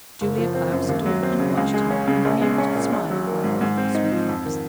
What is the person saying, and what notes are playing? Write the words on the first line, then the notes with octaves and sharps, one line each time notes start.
Julia Cloud stood and watched him, an amused smile growing on her sweet lips.
F#1
F3
C4
F#2
D#2
F#3
C4
C#3
C#2
G#3
C#4
C#3
A#1
G#3
C#4
A#2
A#1
F#3
A#3
G#2
G#2
C4
D#4
F3
F2
D#3